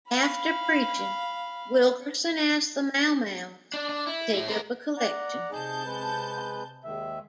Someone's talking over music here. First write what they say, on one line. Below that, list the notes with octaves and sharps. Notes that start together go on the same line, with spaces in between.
After preaching, Wilkerson asked the Mau Maus to take up a collection.
F5 B5
D4
D4
E4
A2 E4
C4 A#4
D5 F#5 A#5
C3 D#4 G#4 A5 G6
G#3 B4
D#2 D#3 G#3 E5